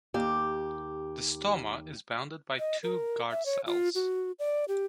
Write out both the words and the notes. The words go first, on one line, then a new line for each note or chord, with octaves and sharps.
The stoma is bounded by two guard cells.
D#2 G4
D#5
A#4
E5
C#5
F4
F#4
D5
G4